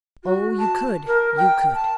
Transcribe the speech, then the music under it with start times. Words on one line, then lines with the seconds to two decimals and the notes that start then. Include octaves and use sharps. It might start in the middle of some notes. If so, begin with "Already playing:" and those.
"Oh, you could--you could."
0.23 F#4
0.59 A5
1.07 A#4
1.37 G5
1.74 A5